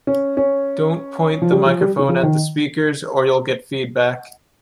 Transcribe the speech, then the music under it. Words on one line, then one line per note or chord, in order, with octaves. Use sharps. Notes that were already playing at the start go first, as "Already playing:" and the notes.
Don’t point the microphone at the speakers or you’ll get feedback.
C#4
C#4
F3
G3
F3
G3
C#3
F3
D#3